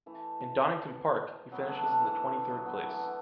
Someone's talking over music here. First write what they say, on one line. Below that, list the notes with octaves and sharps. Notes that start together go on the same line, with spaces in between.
In Donington Park, he finishes in the twenty-third place.
E3 A3
F#3 B3
A3 D4
A3 D4
E3 A3
F#3 B3
F#3 B3
E3 A3
D3